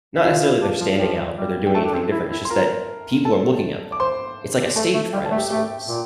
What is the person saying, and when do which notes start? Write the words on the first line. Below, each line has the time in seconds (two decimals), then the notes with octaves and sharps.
not necessarily they're standing out or they're doing anything different, it's just that people are looking at them, it's like a stage fright of sorts
0.16 E5
0.24 E4 F4 F5
0.43 E4
0.62 D4
0.80 F3
0.99 F3 G4 G5
1.37 G3
1.66 G5
1.75 A3 A4 A5
1.85 D4
1.93 C4
2.12 E4
2.31 E4
2.45 C6
2.50 F4 A#4 A#5
3.25 A4 A5
3.92 D6
4.00 C5 C6
4.76 A3 A4 A5
4.94 A3
5.13 G3 G5
5.26 A5
5.31 A3
5.37 G4 G5
5.50 A3 G4 G5
5.88 A#2